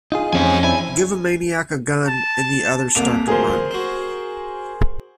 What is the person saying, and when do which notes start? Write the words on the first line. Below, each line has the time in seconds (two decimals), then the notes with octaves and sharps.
Give a maniac a gun and the others start to run.
0.12 D#4 F4 G#4
0.33 F2 C#4 C5 G#5
0.63 C4 D4 E4 G#5
2.07 A5
2.95 D#1 C2 A#3 D6 F7
3.28 D2 F3 G#4 A#4 C5
3.71 C4 F#4